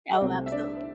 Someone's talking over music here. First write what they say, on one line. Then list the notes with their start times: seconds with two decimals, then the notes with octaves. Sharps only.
Oh, absolute
0.21 C2 C3 A3 C4 C5
0.46 E5
0.52 D4 D5